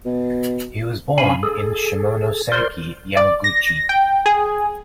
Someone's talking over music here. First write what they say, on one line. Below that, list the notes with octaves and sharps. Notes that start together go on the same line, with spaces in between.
He was born in Shimonoseki, Yamaguchi.
B2
C3 C#4 D4 F5 G#5 B5
G#4 A4
A#4 C5 D5 C6
D5
A#6
G5
G#4